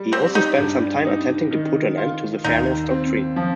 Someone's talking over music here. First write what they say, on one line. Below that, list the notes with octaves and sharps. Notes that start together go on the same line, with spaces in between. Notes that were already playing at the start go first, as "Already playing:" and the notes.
He also spent some time attempting to put an end to the Fairness Doctrine.
Already playing: G3
C4 G4
D#4
G2
D#4
D#3
F4
D#2 D#4
C4
F3